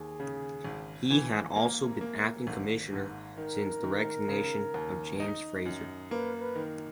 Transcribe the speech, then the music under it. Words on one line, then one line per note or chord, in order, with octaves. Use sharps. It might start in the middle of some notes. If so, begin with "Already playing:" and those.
He had also been Acting Commissioner since the resignation of James Fraser.
Already playing: D#2 G#4
C#3
G#1
E3
A#3 A#4
A#3
G#1
G#2
D#3 A#4
D#3
C#3
D#2
D#4
F#2
A#3 B4
B4
D#3